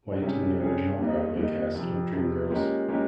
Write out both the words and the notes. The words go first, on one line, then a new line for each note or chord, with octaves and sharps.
White in the original Broadway cast of "Dreamgirls".
C3 G3 C#4 G#4
C3 G3 C#4 G#4
D#2 D#3 G3 A#3 D#4
D#2 D#3 G3 A#3 D#4
F2 C3 F3
F2 C3 F3
A#2 G#3 C#4 G4 A#4
A#2 G#3 C#4 G4 A#4